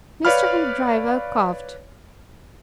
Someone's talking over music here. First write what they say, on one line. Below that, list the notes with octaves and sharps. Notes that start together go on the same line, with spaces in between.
Mr. Hoopdriver coughed.
B4 C#5 D5 F5 B5 F6